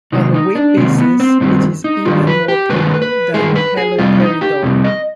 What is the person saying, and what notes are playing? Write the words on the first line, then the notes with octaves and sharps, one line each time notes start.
On a weight basis it is even more potent than haloperidol.
C3 D#3 G#3 D#4
D#4
D4
C3 D#3 G#3 C4
B3
C4
G2 D#3 G3 C4
D#4
G2 D#3 F4
B4
G4
G2 D#3 G#3 B4
B4
G2 D#3 G#3 G#4
B4
G#4
F2 C3 G3 F4
D#4
G4
F2 C3 G3
D#5